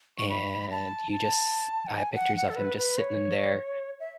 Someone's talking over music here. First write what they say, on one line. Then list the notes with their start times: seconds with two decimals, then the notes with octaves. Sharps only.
And you just I have pictures of him just sitting in there,
0.18 C#6
0.29 B5
0.71 A5
1.12 A5
1.87 F#5
1.94 G#5
2.15 F#5
2.36 F#5
2.49 A4
2.56 B4
2.77 B4
2.98 C#5
4.00 E5